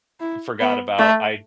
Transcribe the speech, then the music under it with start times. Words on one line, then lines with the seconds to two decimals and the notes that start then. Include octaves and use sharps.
forgot about I
0.20 E4
0.60 B3
0.99 A3